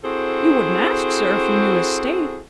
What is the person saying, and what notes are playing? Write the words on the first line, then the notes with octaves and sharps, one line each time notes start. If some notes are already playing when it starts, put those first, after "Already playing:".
'You wouldn't ask, sir, if you knew his state.
C4 E4 F#4 G#4 A4 C5